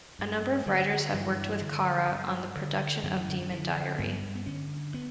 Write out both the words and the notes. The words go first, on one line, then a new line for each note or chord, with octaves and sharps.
A number of writers have worked with Kara on the production of "Demon Diary".
G2
D3 F#3
G2 E3
D3
G2
D3
F#2 D3
E3
D3
D3
D3 E3
G2 B3
B3
D3 C#4
B3